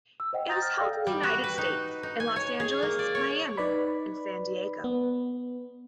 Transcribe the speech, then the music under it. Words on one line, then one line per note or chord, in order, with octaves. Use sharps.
It was held in the United States, in Los Angeles, Miami, and San Diego.
E6
C5 D#5 F#5 G5
F#5 A#5 D#6 G6 A6 A#6
D#6 F6
A4 D5 F5 G5 E6
G3
F#4
B4
D#4
D#4
G#5
C#5
G#4
A#3
D5
C#5
D#4 B4 D5 B5
B3